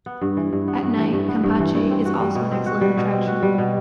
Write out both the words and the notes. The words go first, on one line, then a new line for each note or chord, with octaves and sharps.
At night, Campeche is also an excellent attraction.
B3
G2
E3
G2
B3
G2
E3
G2
B3
G2
E3
G2
C4
F#4
G3
B2
C4
F#4
G3
B2
C4
F#4
G3
B2